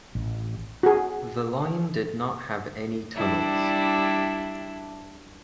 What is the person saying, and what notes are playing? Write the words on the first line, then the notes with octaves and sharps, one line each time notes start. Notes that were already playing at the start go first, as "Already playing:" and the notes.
The line did not have any tunnels.
A1
F#4 G#4
G3 D4 E4